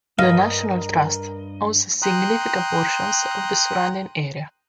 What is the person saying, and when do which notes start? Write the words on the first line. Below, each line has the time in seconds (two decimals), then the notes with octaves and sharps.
The National Trust owns significant portions of the surrounding area.
0.19 G2 A#4 B4 D#5 F5
2.02 G5 A#5 C6 D#6 F#6